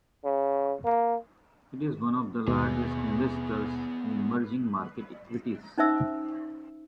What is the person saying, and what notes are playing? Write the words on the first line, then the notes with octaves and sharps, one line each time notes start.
It is one of the largest investors in emerging market equities.
C#3
A#3
D#2 B2 B3 G#4
C#4 D#4 C5 E5 E6